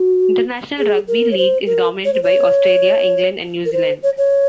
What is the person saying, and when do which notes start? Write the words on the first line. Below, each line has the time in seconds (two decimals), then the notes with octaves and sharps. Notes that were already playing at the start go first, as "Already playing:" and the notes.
International Rugby League is dominated by Australia, England and New Zealand.
Already playing: F#4
0.79 G#4
1.08 A#4
1.31 C#5
1.37 C5
1.66 A#4
2.05 C#5
2.13 C5
2.23 C#5
3.65 A#4
3.73 C5
4.03 C#5
4.17 C#5